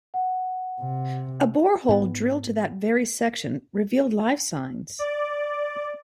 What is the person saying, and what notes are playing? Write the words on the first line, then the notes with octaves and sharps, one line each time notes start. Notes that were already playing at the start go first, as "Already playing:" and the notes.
A bore hole drilled to that very section revealed life signs.
F#5
C3
G#2 B3
D5